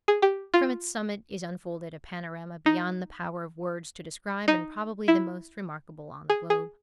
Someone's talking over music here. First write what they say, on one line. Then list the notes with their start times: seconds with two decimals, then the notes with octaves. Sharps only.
From its summit is unfolded a panorama beyond the power of words to describe, and probably the most remarkable on the globe.
0.08 G#4
0.22 G4
0.54 F4
2.66 D#4
4.48 D#4
5.08 E4
6.30 G#4
6.50 G#4